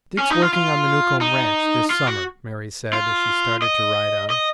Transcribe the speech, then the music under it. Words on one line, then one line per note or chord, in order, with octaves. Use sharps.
"Dick's working on the Newcomb ranch this summer," Mary said, as she started to ride on.
C#4
D#4
F4
F4
D#4
F4
F#4
F4
D#5
D#5